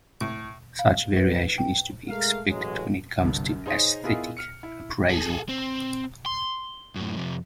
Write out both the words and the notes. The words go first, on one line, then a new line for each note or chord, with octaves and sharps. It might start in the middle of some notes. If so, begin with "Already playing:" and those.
Such variation is to be expected when it comes to aesthetic appraisal.
A2
F5
B4
G5
G#3 A3 A#4 F5
A1 F#3 G#3
G1 C2 G2
F#2
D#4 G#4 C5 C#5 D#5
B3 E4 F4 G#4 A#4 D#5
F6 C#7
E4
G#4 A4
C4
C6
F#2 A2
F2 C3